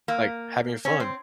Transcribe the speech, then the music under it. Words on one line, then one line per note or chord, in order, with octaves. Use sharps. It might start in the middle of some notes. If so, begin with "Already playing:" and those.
like, having fun,
A#3
C#4
C4